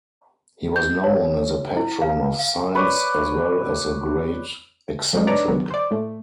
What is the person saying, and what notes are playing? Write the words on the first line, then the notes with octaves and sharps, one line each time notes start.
He was known as a patron of science as well as a great eccentric.
G6
C#5
E4
F5
F5
B4 C#5 D5
F3 F#3 G#3 A3 D4 D#4
D4 D#4 B4 C#5 D5 A#5
D#3 F#3 B3
C5 D5
A2 A3